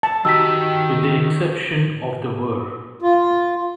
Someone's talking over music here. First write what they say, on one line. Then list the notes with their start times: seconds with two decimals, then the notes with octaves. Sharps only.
With the exception of the Ver.
0.03 A5
0.25 D#3 D#4 F#4 G4 G5 A#5 E6 B6
3.02 F4